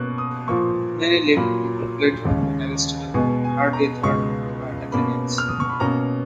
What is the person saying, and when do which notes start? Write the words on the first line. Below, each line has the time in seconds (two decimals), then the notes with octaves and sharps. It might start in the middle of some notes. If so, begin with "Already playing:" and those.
Many lived before Plato and Aristotle, and hardly a third were Athenians.
Already playing: B2 A#3 C#4 F#6
0.18 D#6
0.48 A#2 F3 A#3 C#6
1.36 A#2 F#3 A#3 B5
2.25 D#2 C#3 G#3 C#4
3.14 B2 G#3 B3 G#5
3.44 G#5
3.73 A#5
4.03 C#2 B2 G#3 C#6
4.92 B2 A#3 C#4 B5
5.38 F6
5.48 D#6
5.60 C#6
5.70 B5
5.80 B2 A#3 C#4 A#5